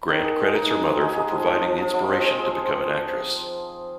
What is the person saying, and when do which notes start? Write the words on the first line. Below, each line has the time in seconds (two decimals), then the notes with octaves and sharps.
Grant credits her mother for providing the inspiration to become an actress.
0.09 D#3
0.24 G#4
0.40 G#3
0.55 D#4
0.70 G#4
0.85 G#3
1.01 G#4
1.16 G#4
1.32 F3
1.47 F3
1.62 F3
1.78 F3
1.93 F3
2.09 C4
2.24 G#4
2.39 G#4
2.55 C5